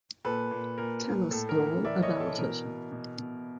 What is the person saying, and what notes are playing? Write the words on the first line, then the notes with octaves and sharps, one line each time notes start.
Tell us all about it.
A#2 A4 B4
A#2
A#2 A#4
A#2
A2 A4
A#4
E3
A#4
E3 D5 E5
C#5 D#5
E3
A4
B2 A#4
B2
B2
B2